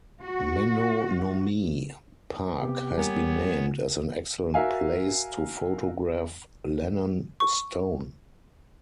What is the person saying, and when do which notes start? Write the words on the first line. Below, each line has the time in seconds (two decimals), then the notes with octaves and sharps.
Menonomee Park has been named as an excellent place to photograph Lannon stone.
0.23 F#4
2.61 C3 B3 G4
2.98 G3 A#3 B3 A#4 C#5 G#5
4.54 F#4 A#4 E5 F5 G#5
7.40 C#6